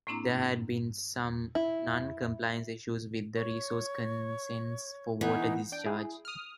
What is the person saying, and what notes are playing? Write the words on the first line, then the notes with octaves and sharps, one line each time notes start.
There had been some non-compliance issues with the resource consents for water discharge.
A2 A#3 C4 D4 E4 A#5
E4
C#5
E3 B3 D#4
D4 G5
E4 G#4
D#6 F6